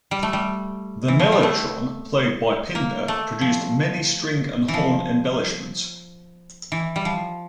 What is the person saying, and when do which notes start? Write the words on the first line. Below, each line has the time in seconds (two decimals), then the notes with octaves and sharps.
The mellotron, played by Pinder, produced many string and horn embellishments.
0.11 G3
0.23 A3
0.33 G3
1.08 E3
1.19 F3
1.32 G3
1.43 A3
2.75 A#3
3.08 A3
3.41 F3
4.68 E3
4.74 F3
6.72 E3
6.96 G3
7.05 F3